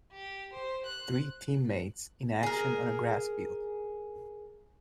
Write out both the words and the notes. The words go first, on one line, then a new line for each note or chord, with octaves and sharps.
Three teammates in action on a grass field.
G4
C5
F#6
G#4 A#4